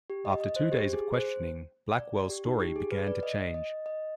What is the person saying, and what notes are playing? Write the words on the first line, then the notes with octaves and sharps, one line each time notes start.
After two days of questioning, Blackwell's story began to change.
G4
D#5
D#5
C5
G4
G#4
C5
D5
G4
D#4
G4
G#4
B4
D5
D#5
D#5
D#5